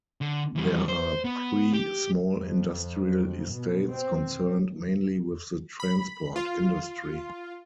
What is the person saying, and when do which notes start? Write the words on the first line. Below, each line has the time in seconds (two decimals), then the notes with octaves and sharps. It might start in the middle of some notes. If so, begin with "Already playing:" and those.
There are three small industrial estates concerned mainly with the transport industry.
0.21 D3
0.56 E3 G3
0.89 C5
1.25 B3
1.74 G4
2.37 F2
3.53 B2
3.92 C4
5.80 B5
6.36 F4